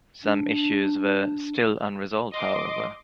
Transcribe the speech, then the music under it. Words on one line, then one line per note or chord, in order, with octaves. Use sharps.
Some issues were still unresolved, however.
D4
D#5 C6 D6